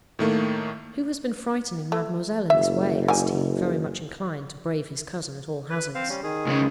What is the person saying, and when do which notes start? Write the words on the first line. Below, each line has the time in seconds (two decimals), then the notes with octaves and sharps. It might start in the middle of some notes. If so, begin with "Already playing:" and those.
'Who has been frightening mademoiselle in this way?' asked he, very much inclined to brave his cousin at all hazards.
0.19 A2 D#3 A3 A#3
1.92 A3
2.50 F#1 E5
3.08 D#3 G3 G#5
5.70 B4
5.95 C4 C5 F5
6.09 G3 C#4
6.23 D#3 G#4
6.47 C#2 C#3